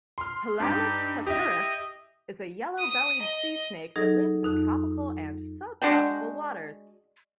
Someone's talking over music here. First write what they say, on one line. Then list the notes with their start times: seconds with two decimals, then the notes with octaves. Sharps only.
"Pelamis platurus" is a yellow-bellied sea snake that lives in tropical and subtropical waters.
0.18 C6 F6
0.60 G2 D#4 G4
1.27 E4 G4 D#5
2.79 D#6
3.22 D#5
3.96 F#3 D#4 G#4 A4 D#5 A#6
4.43 F2 D#4 F#6
5.82 G#3 D4 F#4 G5